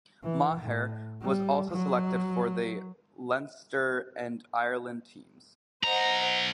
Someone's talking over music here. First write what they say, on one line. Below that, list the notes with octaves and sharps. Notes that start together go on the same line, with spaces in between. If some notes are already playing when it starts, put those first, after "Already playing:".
Maher was also selected for the Leinster and Ireland teams.
E3
A2
G3
F#3
B1 C5 D#5 F#5 A#5